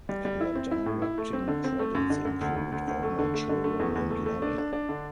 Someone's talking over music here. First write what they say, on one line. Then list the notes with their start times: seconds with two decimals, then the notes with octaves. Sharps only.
Her directing credits include "All My Children" and "Loving".
0.09 G3
0.25 G3
0.41 E4
0.55 C4
0.71 E4
0.86 A2
1.02 E4
1.18 A3
1.33 C4
1.48 D3
1.64 C4
1.79 A3
1.95 F#2
2.10 D3
2.25 F#2
2.41 D2
2.56 D2
2.72 D2
2.87 D2
3.03 A3
3.19 D3
3.34 A3
3.49 D3
3.64 A3
3.80 E2
3.95 E2
4.11 A3
4.26 A3
4.42 D4
4.58 D4
4.73 D4
4.89 D3